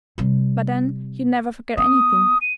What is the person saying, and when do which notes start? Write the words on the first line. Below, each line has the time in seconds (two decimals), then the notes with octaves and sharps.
But then you never forget anything.
0.18 C3 G3
1.78 B3 D#6
2.41 D#7